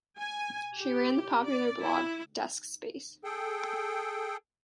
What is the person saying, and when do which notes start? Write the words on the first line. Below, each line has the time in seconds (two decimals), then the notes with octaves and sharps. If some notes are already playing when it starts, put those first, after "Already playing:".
She ran the popular blog, Desk Space.
0.19 G#5
0.77 G4
1.46 D5
1.83 E4
3.24 G#4 A4 G5